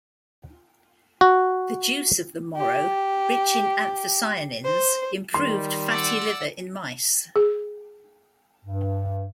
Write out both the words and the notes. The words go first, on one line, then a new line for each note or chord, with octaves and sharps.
The juice of the 'Moro', rich in anthocyanins, improved fatty liver in mice.
F#4
G4
C5
D#3 G3 C6
D5 F#5 E6
G#4
G2